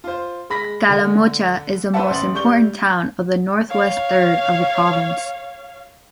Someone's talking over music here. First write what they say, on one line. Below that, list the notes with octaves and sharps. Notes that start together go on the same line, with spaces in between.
Calamocha is the most important town of the Northwest third of the province.
F4 C5
G#3 B5 A#6 B6
D3
B4 C5 D5 E5 F#5 A5
A1 C6 A6 F#7
G3 C#6 G6 G7
C#5 F5